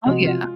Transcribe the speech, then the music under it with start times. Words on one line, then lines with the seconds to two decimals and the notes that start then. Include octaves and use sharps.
Oh, yeah.
0.06 C3 F3 G#3 C4 F#4
0.25 F4